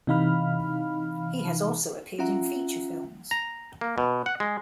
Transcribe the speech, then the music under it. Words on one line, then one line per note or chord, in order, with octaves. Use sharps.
He has also appeared in feature films.
C3 E3 D#4 F5 B5 F6
C#4 F4 E5 F#5 A#5
A#5
A#3
B2
F#5
G#3